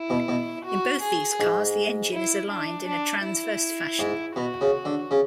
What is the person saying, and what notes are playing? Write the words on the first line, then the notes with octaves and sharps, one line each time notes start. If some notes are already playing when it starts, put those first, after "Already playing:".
In both these cars the engine is aligned in a transverse fashion.
Already playing: E4
B2
B2
F#4
G#4
G#2
E4
D4
D4
E4
G#2
B2 F#4
C#3
D3
C#3